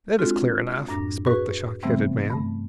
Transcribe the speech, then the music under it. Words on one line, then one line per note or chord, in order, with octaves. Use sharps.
"That is clear enough," spoke the shock-headed man.
G#3 C4 D4 F4 F#4 A4
F#2 A2 D4 A#6
F#4 G#4 B4 C#6
C3 E3 G3 A3 B3 C4
G2 A3